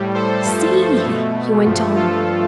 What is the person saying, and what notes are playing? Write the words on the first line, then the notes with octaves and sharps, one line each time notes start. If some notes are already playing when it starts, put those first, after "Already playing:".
"See!" he went on.
Already playing: A2 G3
A4 C5
G2 F3 A3 A4 C5
B2 A3
G2 F3 A3
F4 A4